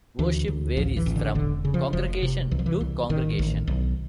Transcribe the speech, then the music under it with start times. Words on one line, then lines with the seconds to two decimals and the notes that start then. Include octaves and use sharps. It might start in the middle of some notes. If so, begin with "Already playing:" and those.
Worship varies from congregation to congregation.
0.19 D2 E3
0.48 D2
0.77 A1 F3
0.97 E3
1.06 A1
1.16 D3
1.35 E1 D3
1.65 C#3
1.74 F3
1.93 F1 F3
2.22 C3
2.51 C2 E3
2.59 F3
2.66 E3
2.81 C2
3.10 A1 D#3
3.39 A1
3.67 B1